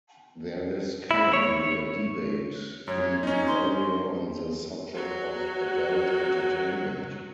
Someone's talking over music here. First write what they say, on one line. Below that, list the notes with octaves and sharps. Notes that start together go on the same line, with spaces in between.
There is currently a debate in the area on the subject of "adult entertainment".
E4
C#5
F#2 C#5
C#4 D#4
C6
F#3 F#4